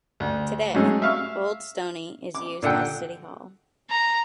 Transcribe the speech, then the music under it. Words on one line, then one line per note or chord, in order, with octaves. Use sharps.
Today, Old Stoney is used as City Hall.
D2
G#2 F#3 A3 C#4 D#4 G#4
E5 F5 C#6
D6
A#2 D3 F#5 G5
A#5